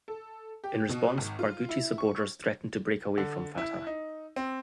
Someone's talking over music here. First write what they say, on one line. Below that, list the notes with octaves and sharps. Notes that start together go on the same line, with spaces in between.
In response, Barghouti's supporters threatened to break away from Fatah.
A4
G4
B2
G#1
F4
E4
C#6
D3
E4
D#4
C4